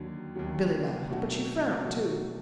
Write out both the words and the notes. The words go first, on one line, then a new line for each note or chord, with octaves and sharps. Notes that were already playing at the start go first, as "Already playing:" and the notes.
Billy laughed, but she frowned, too.
Already playing: D#2 D3 F#3
D#2 D3 F#3
B2 F#3 A3 D4 F#4
B2 F#3 A3 D4 F#4